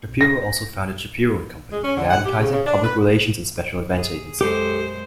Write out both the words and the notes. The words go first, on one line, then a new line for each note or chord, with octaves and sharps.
Shapiro also founded "Shapiro and Company", an advertising, public relations and special events agency.
A#6
G#3
C#4
D3
F#5
G4
C#3
C#3
D4
B4
G#4
F#2 G#3 G4 A4 C5